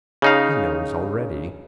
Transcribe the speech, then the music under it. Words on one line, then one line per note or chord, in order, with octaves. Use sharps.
He knows already.
C#3 D#4 F5